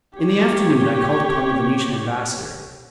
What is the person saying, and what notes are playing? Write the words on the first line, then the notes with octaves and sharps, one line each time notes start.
In the afternoon I called upon the Venetian ambassador.
G4 C#5